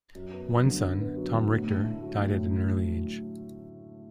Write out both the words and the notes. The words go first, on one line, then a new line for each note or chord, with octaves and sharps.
One son, Tom Richter, died at an early age.
F#2
B3
F#3
D3
F#2
B3
F#3
D3
A2
A2
A3
F#3
A2
A2
A3
F#3